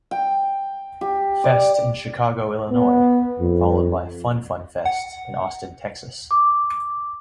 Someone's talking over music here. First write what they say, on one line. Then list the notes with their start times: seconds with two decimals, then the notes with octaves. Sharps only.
Fest in Chicago, Illinois, followed by Fun Fun Fest in Austin, Texas.
0.11 G5
1.01 G4
1.44 D5
2.70 B3
3.40 F2
4.85 F#5
6.31 D6